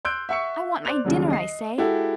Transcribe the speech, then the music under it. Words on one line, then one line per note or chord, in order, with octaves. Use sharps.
"I want my dinner, I say."
C6 E6 F#6 G6 D7
E5 F#5 C#6 E6 C#7
C5 D5 F#6 F7
D#2 C#3 F#3 G3
D#5 C7
G#3 E4 F#4 G4 A4